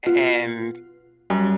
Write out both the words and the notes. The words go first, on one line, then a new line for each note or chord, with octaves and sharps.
a and
B2 F4
F#2 G3